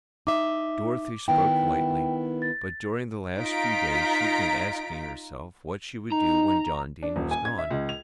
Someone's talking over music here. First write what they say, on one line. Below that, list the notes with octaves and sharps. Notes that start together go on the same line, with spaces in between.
Dorothy spoke lightly; but during the last few days she had been asking herself what she would do when John Dene was gone.
D#4 E5 D6
D#3 B3 E4 G5
A6
D#4 F4 A#5 B6 D7
D#4 A#5
D4
D#1
G#5
G#6
E5
C#2
F7